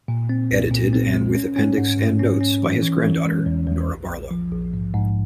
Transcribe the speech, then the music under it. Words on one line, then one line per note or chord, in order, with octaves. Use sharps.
Edited and with appendix and notes by his granddaughter Nora Barlow.
A#2
C4
C2
A#2
C4
G#3
C#4
C#4
G#2
G#2
C#4
C#4
E3
E3
E3
G#3
E2
E2
A#1
A#1
F3
A#1
G#2
G#2